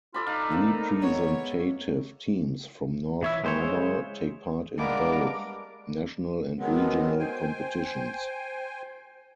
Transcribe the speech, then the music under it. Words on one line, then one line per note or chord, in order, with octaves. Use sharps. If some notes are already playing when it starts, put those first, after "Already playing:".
Representative teams from North Harbour take part in both national and regional competitions.
F4 A4 D5 B5
D#4 F5
A#3 C4 E4
G#3 B3 E4 C#5
E3 E4 C#5 E5
E3 G#3 C5 C#5
C#3
G3 G#3 A#3 B3 D4 A#4 B4 D6
D#3 F#3 G#3 B3
C5 G5 G#5